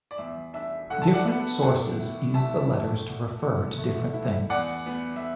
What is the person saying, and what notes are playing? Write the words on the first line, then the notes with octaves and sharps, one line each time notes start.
Different sources use the letters to refer to different things.
D5
E2 E5
D4 E5
D3 F#5
A5
D5 F#5
B3
A2
E4
E3 E5 A5
A3
D3
D3
A3
E4
E2 D5 F#5
B3
E5